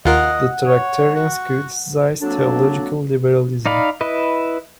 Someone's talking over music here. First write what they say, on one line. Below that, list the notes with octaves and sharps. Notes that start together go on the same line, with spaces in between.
The Tractarians criticised theological liberalism.
D#2 F4 A#4 D#5 F#5
C#5
F#4
F#3 A3 A#3 C4 D4
D#4 D5 F5 B5
E4 B4 D#5